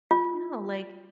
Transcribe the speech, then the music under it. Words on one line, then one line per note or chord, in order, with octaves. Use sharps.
I don't know. Like,
F4